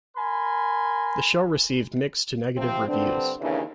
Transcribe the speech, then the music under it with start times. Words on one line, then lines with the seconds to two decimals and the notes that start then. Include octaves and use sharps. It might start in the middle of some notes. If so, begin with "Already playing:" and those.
The show received mixed to negative reviews.
0.17 A#4 G#5 B5 C6
2.57 C3 F3 C4
2.87 G2 D3 C4 D4
3.40 D#2 C#3 E3 D4